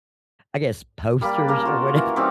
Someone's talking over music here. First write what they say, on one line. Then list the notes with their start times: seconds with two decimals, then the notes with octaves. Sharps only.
I guess, posters or whatever,
1.21 G3 A#3 D5 B5
1.48 C#3 A#3 A5 A#5
1.65 F4 F#4 D5
1.95 E3 A#4 A#5
2.16 G3 C4 C#4 D#4